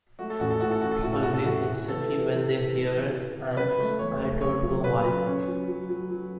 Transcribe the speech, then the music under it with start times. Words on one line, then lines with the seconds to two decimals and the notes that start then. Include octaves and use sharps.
People weep instantly when they hear it, and I don't know why.
0.19 A3 F#4
0.30 A4
0.40 A1 F#4
0.50 A4
0.60 A2 F#4
0.71 A4
0.81 A1 F#4
0.91 A4
1.02 A2 F#4
1.13 A4
1.23 E4 F#4
1.33 A4
1.44 A1 F#4
1.67 A2
1.88 E3 A4
2.09 E3
2.30 E3
2.52 B3
2.73 E3
2.93 E3
3.15 B3
3.36 B3
3.57 C#3 B4
3.78 A3
3.99 E2 C#5
4.21 A3
4.41 C#3 C#5
4.63 F#3
4.84 C#3 B4
5.05 F#3
5.26 C#4
5.47 F#3
5.68 F#3
5.89 F#3
6.11 F#3